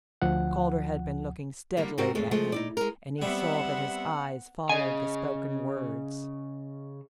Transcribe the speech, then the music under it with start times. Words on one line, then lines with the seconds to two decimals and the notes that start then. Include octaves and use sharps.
Calder had been looking steadily at him, and he saw that his eyes followed the spoken words.
0.22 D2 F3 F#5
1.77 D3 G3 A#3
1.98 G#2 C4 F#4 G4 A#4
2.15 F2 G#3 A3
2.31 F3 G#3 A3
2.52 D#4 E4 D5
2.77 G#3 A#4
3.22 G3 B3 C4 E5 F#5
4.69 C#3 D#5 G#5